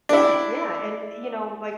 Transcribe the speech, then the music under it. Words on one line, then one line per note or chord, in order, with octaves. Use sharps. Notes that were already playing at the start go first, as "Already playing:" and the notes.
Yeah, yeah, and you know, like,
D4 E4